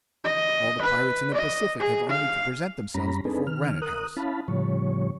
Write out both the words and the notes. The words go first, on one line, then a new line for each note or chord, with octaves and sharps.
All the pirates in the Pacific have only to present themselves before Granite House!
D#5
B4
D#5
G#4
F5
F#2 G3 C#4 A#5 B5
C4 D4 D#4 G#4 A4 B4
D#3 F6
A#4 D#6 F#6
C#4 E4 F5 A5 B5
A2 C#3 F3 G3 C#5